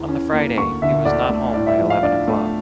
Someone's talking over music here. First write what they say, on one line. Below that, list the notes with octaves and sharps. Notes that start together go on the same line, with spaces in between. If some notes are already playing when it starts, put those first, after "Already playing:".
On the Friday, he was not home by eleven o’clock.
Already playing: E2 E3
C#4
A#3
D2 C#6
D3 E5
D2 D5
A3
A2 D5
E5
F3
F5
D4 D5
A3